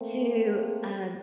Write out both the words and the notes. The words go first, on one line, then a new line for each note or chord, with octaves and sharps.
to, um,
A3 A#3 C4